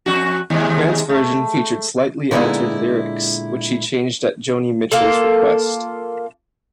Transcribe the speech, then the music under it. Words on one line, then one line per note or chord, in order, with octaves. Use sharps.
Grant's version featured slightly altered lyrics, which she changed at Joni Mitchell's request.
F2 F#4
D#2 C3 G#3
A3
A#2 D3 G#3 B3 D#4 E4
A#3 F4 A4